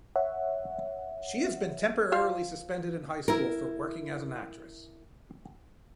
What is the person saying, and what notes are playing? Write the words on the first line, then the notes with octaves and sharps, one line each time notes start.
She has been temporarily suspended in high school for working as an actress.
C#5 E5 F#5
F3 C5 F5
E4 A#4